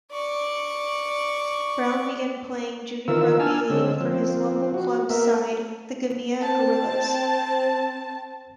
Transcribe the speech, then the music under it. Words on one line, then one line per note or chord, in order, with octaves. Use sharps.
Brown began playing junior rugby league for his local club side the Gymea Gorillas.
D5 C#6
D#3 E3 F4 A#4 E6
D4 G#5 A5 E6 F6
D3 G#3 C4 C#4 E6
F3 C4
F#4
A#3 B3 A#4 E5
C4 A5